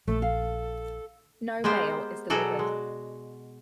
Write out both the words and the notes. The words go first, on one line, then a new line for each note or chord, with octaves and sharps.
No mail is delivered.
A#1 A3 A4
F5
G#3 A#3 B3 G4 C5
B2 F#3 F#4 G#4 A4 D5
G#3